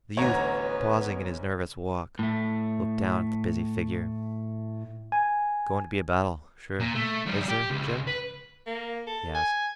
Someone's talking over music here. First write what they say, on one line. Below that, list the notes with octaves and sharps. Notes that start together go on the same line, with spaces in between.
The youth, pausing in his nervous walk, looked down at the busy figure. "Going to be a battle, sure, is there, Jim?" he asked.
A1 D2 B3 C#5 A#5
A2 A3
G#5
A#2
A3
F3 G3
G4
C#2
B4
A#3
A4
G#5